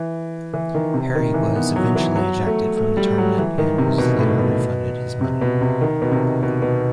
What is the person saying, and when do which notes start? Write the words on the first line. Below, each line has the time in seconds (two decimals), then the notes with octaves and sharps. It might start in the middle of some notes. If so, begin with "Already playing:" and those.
Harry was eventually ejected from the tournament and was later refunded his money.
Already playing: E3
0.54 E3
0.74 D#3
0.94 C3
1.15 D#3
1.34 E3
1.55 B3
1.76 F#3
1.95 E3
2.16 F#3
2.46 A3
2.76 A3
2.97 G3
3.18 F#3
3.38 E3
3.58 D#3
3.78 C3
3.98 B2
4.19 A2
4.39 B2
5.21 C3
5.41 B2
5.61 C3
5.81 D#3
6.02 B2
6.12 C3
6.43 B2
6.62 B2